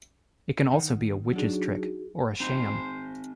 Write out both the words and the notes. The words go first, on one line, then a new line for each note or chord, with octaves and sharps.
It can also be a witch's trick, or a sham.
D#3 D#4 F#5
F#3 D4 D#4 F#4 G#4
C4 D#4 C5 A#5